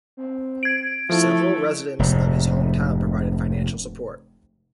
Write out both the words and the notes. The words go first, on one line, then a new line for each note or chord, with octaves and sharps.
Several residents of his hometown provided financial support.
C4
G#6 D7
F3 A3 E4
F1 G#2 C3